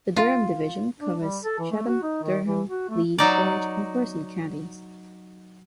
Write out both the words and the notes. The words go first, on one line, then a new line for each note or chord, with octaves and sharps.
The Durham division covers Chatham, Durham, Lee, Orange, and Person counties.
F4
D4
G3
A4
E3
A3
F#4
D#4
D#3
E3
F#4
A3
F#3 D#4 D5